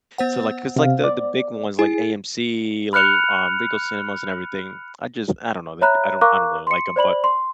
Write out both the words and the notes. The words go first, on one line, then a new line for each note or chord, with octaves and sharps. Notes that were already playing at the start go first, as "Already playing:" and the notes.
So like 'cause like the the big ones, like AMC, like, um, Regal Cinemas and everything, I just I don't know, I don't I don't really like 'em, but
B3 C5 F#5
C3 F5
D5
E4 G#4
B5 F6 F#6 C#7 F7
C#5 E5 A#5 B5 F#6
A#4 F5 A#5 C#6 D6 F#6
C6 C#7
C5 D5 B5 F#7
C6